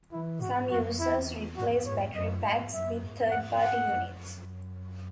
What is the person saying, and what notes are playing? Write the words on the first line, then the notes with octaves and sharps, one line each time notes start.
Some users replace battery packs with third-party units.
E3 E4
G#2 F#4
F#2 F#4
E2 E4
G#2 F#4
G#2 C#5
F#2 D#5
G#2 D#5
F#2 E5
G#2
F#5
F#5
F#2
F#2